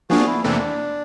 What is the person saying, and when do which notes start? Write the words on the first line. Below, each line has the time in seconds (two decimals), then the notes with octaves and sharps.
Oh my goodness.
0.10 F3 A#3 D4 F4 F#4 G#4
0.26 E4
0.44 E2 C3 E3 A3 D4